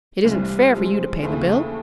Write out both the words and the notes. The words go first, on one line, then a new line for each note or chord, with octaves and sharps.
It isn't fair for you to pay the bill.
C2 C3 E3 G3
F3 G#3 C4
D#2 C#3 E3 A3